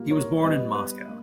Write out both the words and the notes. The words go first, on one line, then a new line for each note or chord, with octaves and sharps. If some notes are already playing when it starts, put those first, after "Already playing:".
He was born in Moscow.
Already playing: A#2 G3 A#3
A#4 C#5
G2 G3 B3 B4 D#5
B4
A#3